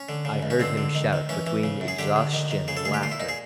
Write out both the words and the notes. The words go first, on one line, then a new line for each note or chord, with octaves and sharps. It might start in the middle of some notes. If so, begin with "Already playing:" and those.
I heard him shout between exhaustion and laughter. . . .
Already playing: C#4
D3
C#3
C#2
C#4
D3 C4
D3
D#3
D#3
E3 C#4
E3
C#3
F#2
G#4
D3 G4
D3
D#3
D#3
C#3 G#4
A4
D2 G#4
G4
A#2 F4
E4
A#2 D#4
G#4